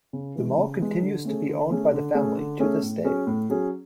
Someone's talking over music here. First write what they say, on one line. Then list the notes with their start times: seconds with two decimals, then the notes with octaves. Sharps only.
The mall continues to be owned by the family to this day.
0.13 C#3
0.35 E3 G#3
0.58 C#3
0.80 E3 G#3
1.02 D3
1.25 A3 C#4 G#4
1.47 D3
1.70 A3 C#4 G#4
1.92 D3
2.14 A3 C#4 G#4
2.37 D3
2.59 A3 C#4 G#4
2.82 A2
3.04 F#3 C#4 G#4
3.27 A2
3.50 F#3 C#4 G#4